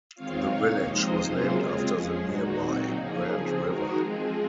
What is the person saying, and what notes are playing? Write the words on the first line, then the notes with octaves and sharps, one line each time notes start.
The village was named after the nearby Grand River.
D#3 G#3 C4 F4 C#5 F5
C3 D#3 A#3
F3 G#3 C4 D#4 C5 D#5
C3 F#3 A#3 C#4 F4 G#4 C5
C#3 G#3 C4 F4 G#4
F3 G#3 C#4 G#4
A#2 G#3 D#4 F#4
A#2 F#3 C4 D#4
C#3 F3 A#3 D#4 G#4
C#3 F3 C4
D#3 G#3 D#4 F#4 A#4
F3 G#3 C4 G#4